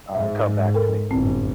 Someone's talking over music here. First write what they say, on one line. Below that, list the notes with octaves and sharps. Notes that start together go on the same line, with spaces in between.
um, come back to me.
G#2 E5
A4 A#4 G5
G1 F#2 A2 C4